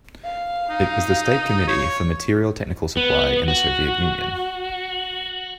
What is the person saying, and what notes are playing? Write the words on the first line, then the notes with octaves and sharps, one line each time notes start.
It was the state committee for material technical supply in the Soviet Union.
F5
D#4
C#5
B3
F#4